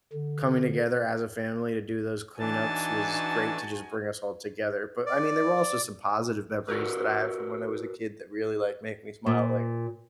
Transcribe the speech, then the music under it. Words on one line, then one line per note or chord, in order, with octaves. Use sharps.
coming together as a family to do those cleanups was great to just bring us all together, but I mean, there were also some positive memories that I have from when I was a kid, that really like make me smile. Like
D3
E3 D4 D#4 F#4 G#5 A5
D5
F#4 A#4 B4
A#2